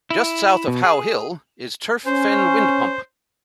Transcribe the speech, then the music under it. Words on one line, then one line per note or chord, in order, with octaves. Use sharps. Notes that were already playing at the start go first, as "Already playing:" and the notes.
Just south of How Hill is Turf Fen windpump.
E4
B2
G#4
C#4 C5